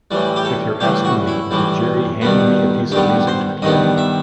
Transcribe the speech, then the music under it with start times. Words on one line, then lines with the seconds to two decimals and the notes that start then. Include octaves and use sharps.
If you're asking me: 'Did Gerry hand me a piece of music to play?
0.11 A2 E3 G3
0.36 G4
0.45 A4
0.80 A2 E3 G3 G4
1.05 F#4
1.27 E4
1.51 A2 E3 G3
2.21 G2 D#3 G3 B3
2.92 G2 D#3 G3 B3 G4
3.27 C5
3.62 G2 D#3 G3 B3 D#5
3.98 E5